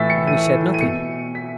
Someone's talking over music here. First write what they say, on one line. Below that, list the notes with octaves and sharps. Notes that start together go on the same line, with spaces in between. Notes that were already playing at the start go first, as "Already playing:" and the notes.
"We said nothing."
Already playing: A2 E3 E6 A6 B6
C#7
D#7
D#7
B2 C#7
B6